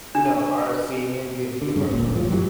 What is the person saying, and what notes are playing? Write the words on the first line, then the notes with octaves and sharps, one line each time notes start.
No, I've seen him get beat up by Jordan.
D4
D3
G2 C#3
D1 G1 A#2
G1 A2 F3
F#2 E3 F#3 G3